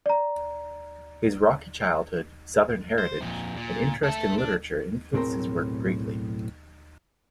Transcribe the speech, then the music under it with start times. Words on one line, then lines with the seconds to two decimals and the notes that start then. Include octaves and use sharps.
His rocky childhood, southern heritage, and interest in literature influenced his work greatly.
0.06 D5 A#5
2.98 C5
3.21 F2 A#2
3.56 A#2
4.03 A3 A4
4.38 D4
5.13 B1 A2 C4 G#4 A#4 C6